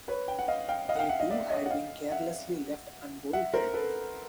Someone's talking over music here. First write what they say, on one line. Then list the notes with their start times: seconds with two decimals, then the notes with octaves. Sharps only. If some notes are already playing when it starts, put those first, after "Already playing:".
They, too, had been carelessly left unbolted.
0.08 B4 C#5
0.28 G5
0.39 F#5
0.48 D#5 F5
0.69 F5 G5
0.89 D#5 F5
0.95 F#5
0.99 F5 G5
1.09 E5 F#5
1.20 D#5 F5
1.30 D5 E5
1.50 C#5 D#5
1.66 F#5
1.71 D#5 F5
2.11 E5 F#5
3.33 E5 F#5
3.54 A#4 C5
3.73 A4 B4